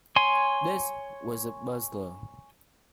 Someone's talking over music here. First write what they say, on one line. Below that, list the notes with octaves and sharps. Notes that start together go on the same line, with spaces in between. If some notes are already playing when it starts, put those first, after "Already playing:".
This was a puzzler.
C#5 G#5 C6